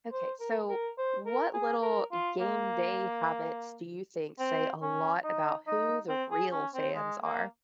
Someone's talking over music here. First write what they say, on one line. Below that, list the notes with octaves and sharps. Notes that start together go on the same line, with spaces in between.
Okay, so, what little game day habits do you think say a lot about who the real fans are?
C5
A#4
A#4
C5
A#4
G#4
A#4
F4
A#3
C4
C#4
D#4
D#4
C4
G#4
C#4
C4
G#3
A#3